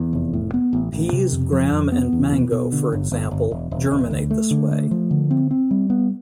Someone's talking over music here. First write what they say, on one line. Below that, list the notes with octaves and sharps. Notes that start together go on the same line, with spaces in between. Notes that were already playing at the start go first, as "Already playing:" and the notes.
Peas, gram and mango, for example, germinate this way.
Already playing: E2
F1
A2
B3
A1
A1
C3
F2
F3
F2
B3
E2
B2
B2
D3
G1
G1
G1
E1
E1
E1
D2
A3
D3
A3
F3
D3
C4
C4
G3
B3